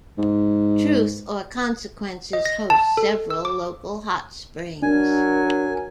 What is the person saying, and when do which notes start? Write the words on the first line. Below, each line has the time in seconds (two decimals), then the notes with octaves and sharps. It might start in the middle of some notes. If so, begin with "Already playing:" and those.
Truth or Consequences hosts several local hot springs.
0.18 G#2
2.33 D#5
2.45 A#6
2.70 A5
2.97 A4
3.30 E6
3.45 D6
4.82 F#3 D4 A#4 G#5